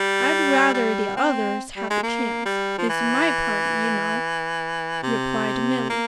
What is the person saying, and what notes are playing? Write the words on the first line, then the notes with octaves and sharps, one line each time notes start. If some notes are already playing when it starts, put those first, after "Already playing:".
"I'd rather the others had the chance--it's my party, you know," replied Milly.
Already playing: G3
G3
C4
G3
G#3
A#3
G3
F3
E3
C3
A#3